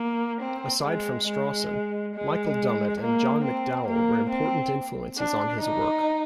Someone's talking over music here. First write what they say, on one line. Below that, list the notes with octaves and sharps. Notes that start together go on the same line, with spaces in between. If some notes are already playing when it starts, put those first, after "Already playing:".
Aside from Strawson, Michael Dummett and John McDowell were important influences on his work.
Already playing: A#3
C4
G#3
G#3
G#3
A#3
C4
A#3
C4
D4
D#4